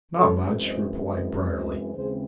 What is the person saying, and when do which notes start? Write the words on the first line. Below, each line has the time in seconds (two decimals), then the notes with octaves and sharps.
"Not much," replied Briarly.
0.16 F#2 E3 G#3 C4 A4 C#5
0.61 C5 D#5
1.05 C5 D#5
1.50 C5 D#5
1.94 D#2 C#3 E3 G#3 C4 G#4 C5